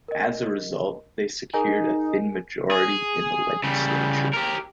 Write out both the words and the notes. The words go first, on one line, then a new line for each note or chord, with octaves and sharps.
As a result, they secured a thin majority in the legislature.
A#4 D#5
D#4 G#4 A#4 G#5
G#4
C#3 G3
G4 A#4